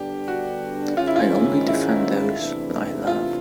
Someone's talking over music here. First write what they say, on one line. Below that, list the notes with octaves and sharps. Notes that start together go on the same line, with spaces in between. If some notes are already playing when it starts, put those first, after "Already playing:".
I only defend those I love.
Already playing: D3 G3 B3 D4 G4
F#4
G#2 D#3 G#3 C#4 F4
E4
F4
E4
E2 C3 E3 A3 D4
F4